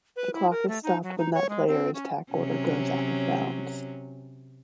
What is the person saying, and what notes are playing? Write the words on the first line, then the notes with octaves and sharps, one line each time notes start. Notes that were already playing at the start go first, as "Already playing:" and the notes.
The clock is stopped when that player is tackled or goes out of bounds.
B4
E4
A#4
A3
D#4
F#3
D#4
C#5
G#3
C4
C#4
C3 F#3 C#4